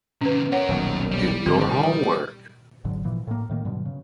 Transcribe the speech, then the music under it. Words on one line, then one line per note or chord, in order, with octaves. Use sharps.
Do your homework!
C3 D#3 C#4 B4
C#4 A#4 C#5 F#5
D#1 B1 D#3
G3
G#1 D3 F3 C4
D#3
G#1 G#2 D3 F#3
A#2 E3 F3
A2 A#3
A2 D#3 A3 A#3
G2 B2 D3 F#3
C#3